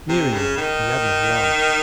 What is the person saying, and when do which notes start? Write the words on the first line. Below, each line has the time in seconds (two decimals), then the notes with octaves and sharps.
Sneeringly the Admiral laughed.
0.09 C3
0.33 C#3
0.57 D#3